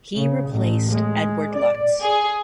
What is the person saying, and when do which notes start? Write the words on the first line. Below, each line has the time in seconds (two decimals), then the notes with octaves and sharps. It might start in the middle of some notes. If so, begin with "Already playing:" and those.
He replaced Eduard Luts.
0.16 C#3
0.49 A1
0.89 G#3
1.54 D5
2.02 G#4